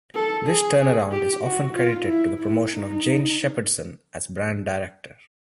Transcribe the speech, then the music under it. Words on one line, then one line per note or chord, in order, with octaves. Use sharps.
This turnaround is often credited to the promotion of Jane Shepherdson as brand director.
A4
G#4
G4
F#4
F4
E4
E4
D#4